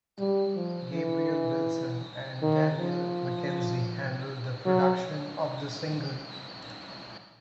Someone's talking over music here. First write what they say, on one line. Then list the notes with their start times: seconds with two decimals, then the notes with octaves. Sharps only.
Gabriel Wilson and Daniel Mackenzie handled the production of the single.
0.19 G3
0.56 F3
0.93 E3
2.42 D#3
2.79 F3
4.66 F#3